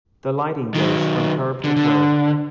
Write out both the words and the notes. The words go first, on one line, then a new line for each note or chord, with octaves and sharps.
The lighting goes from curb to curb.
D#3 F#3
D3
D3